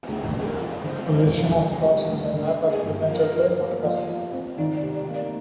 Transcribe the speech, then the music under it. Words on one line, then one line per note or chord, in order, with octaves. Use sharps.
Positions of cards on the map are represented by markers.
D2 G#4
C3
G#4
A#4
F3
D3 C5
D3
F3
D3
G3
D2
D3 A#4
A#3
G#4
G2
F3 A#4
F3
A#3
F3
F3
C4
D#3 D5
D5
C3
D5
A#3
D5